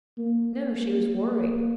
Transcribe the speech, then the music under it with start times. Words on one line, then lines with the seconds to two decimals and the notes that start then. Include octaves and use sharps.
"No--she was worried."
0.19 A#3